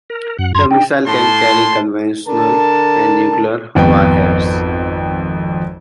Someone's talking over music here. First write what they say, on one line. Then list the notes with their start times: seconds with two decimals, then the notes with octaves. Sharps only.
The missile can carry conventional and nuclear warheads.
0.10 A#4
0.39 F#2 F#5
0.55 F#2 A#5 C6 G#6
0.71 D4 D#4 G5
1.06 A2 A5 C6
2.27 D3 A#4 A5
3.75 G#1 F2 B3 G5